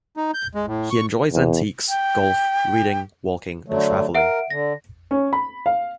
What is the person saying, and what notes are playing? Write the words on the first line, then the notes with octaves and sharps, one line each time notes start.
He enjoys antiques, golf, reading, walking and travelling.
D#4
G6
G#3
A2
C#6
E2
G5
D3 F#3 A3
A#4 E5 F#5 D7
D3 A#6
C#4
B5
F5